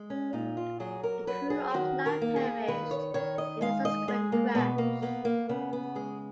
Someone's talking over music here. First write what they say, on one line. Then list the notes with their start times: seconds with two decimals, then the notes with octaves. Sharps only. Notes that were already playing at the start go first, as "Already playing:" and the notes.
The crew of nine perished in the subsequent crash.
Already playing: G#3
0.10 C#4
0.33 A#2 D#4
0.57 F4
0.80 F#3 G#4
1.03 A#4
1.27 F#3 B4
1.50 G#4
1.74 D#3 F#4
2.06 A#4
2.21 A#3
2.36 G#4
2.68 D#3 B4
2.91 C#5
3.14 D#3 C#5
3.38 D#5
3.61 G#3 F5
3.85 D#5
4.08 G#3 G#4
4.32 A#3
4.55 B2 B3
4.78 A#3
5.02 A#3 B3
5.25 A#3
5.49 C#3 B3
5.73 B3
5.95 G#3 G#4